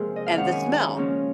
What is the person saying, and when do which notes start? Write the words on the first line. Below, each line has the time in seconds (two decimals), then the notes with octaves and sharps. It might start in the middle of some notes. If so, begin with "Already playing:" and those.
And the smell.
Already playing: C3 F3 G#3 A#3 G#4 A#4 C5
0.16 D#5
0.26 F5
0.37 F#2 D#3 G#3 F#5
0.52 G#5
0.96 C#3 F3 A#3 C#4